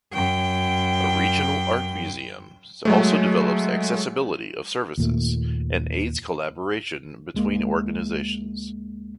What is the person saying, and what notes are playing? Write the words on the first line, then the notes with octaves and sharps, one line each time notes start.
A regional art museum also develops accessibility of services and aids collaboration between organizations.
F#2 G5
F#3 G#3 A3
D#2 A#2 A3
D2 G#3 A#3